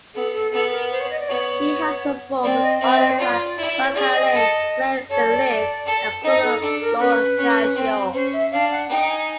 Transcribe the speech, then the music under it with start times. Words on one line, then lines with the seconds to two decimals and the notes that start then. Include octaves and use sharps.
He has performed with artists like Rakali, Glen Velez and Claudio Lo Cascio.
0.15 B3 A4
0.34 A4
0.52 B3 A4
0.72 A#4
0.91 C5
1.00 C#5
1.10 D#5
1.19 D5
1.29 B3 C#5
2.43 C4 D5
2.62 D#5
2.81 C4 E5
2.91 E5
3.00 D#5
3.10 C5
3.19 F4 D5
3.58 E4
3.84 C#5
3.95 G#4 D5
4.10 D5
4.14 D#5
4.34 A4
5.10 A4 C#5
5.29 D5
5.86 A4
6.24 D#4 D#5
6.43 A4
6.61 D4 A4
6.81 A#4
6.99 C#4 B4
7.37 C#4
7.76 C4
8.14 C#4 C5
8.33 E5
8.52 D4 F5
8.71 F#5
8.90 D#4 G5
9.09 G#5